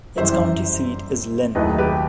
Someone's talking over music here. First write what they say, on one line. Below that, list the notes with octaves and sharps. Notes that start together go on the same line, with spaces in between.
Its county seat is Linn.
G1 F#2 E3 G3 C5 E5
D#2 D#3 F#3 A3 B4 D#5
G4 B4